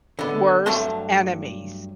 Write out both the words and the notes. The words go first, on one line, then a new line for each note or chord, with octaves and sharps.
worst enemies
D3 B3
G2 F#3 A3 F#5 A5 C6